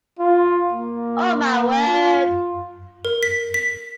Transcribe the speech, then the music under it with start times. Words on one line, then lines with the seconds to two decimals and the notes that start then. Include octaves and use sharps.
Oh my word.
0.19 F4
0.73 A#3
1.87 F4
3.05 A#4
3.23 B6
3.54 B6